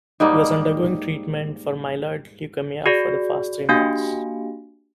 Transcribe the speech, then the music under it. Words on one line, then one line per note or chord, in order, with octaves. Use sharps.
He was undergoing treatment for myeloid leukaemia for the past three months.
G#2 G3 A#3 D#4
F#4 G#4 D5
A#3 D4 F#4 G4 F5 G#5